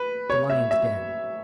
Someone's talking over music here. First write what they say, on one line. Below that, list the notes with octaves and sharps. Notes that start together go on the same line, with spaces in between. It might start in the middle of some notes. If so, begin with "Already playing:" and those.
The Lions' Den.
Already playing: B4
C#5
E5
E5